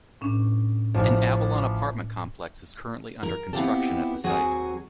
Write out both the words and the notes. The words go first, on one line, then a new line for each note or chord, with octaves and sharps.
An Avalon apartment complex is currently under construction at the site.
A2 C#4 D4
A1 F3
A#4
B3 C4 E4 F4 G4 A4
D#2 F#3 C4 F#4 G#4 G#5